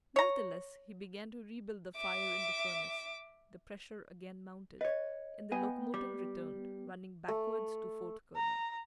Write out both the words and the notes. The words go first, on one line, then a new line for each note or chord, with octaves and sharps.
Nevertheless, he began to rebuild the fire in the furnace; the pressure again mounted, and the locomotive returned, running backwards to Fort Kearney.
C#5 A#5
E5 D6
B4 C#5 D#5
B3 D#5 G5 G#5
G3 D6
A3
A#5